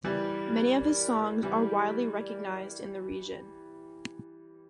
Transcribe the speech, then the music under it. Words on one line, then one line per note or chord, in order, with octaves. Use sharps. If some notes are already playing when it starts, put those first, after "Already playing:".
Many of his songs are widely recognized in the region.
E3 G3 G4 A#4 D5
G4 A#4 D5
E3 G3 G4 A#4 D5
G4 A#4 D5